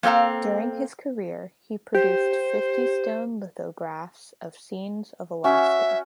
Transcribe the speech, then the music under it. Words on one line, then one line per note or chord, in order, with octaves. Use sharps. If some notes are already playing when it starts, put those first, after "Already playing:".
During his career, he produced fifty stone lithographs of scenes of Alaska.
A#3 C4 A4 F5 A#5
G4 C5
C#4 F#4 E5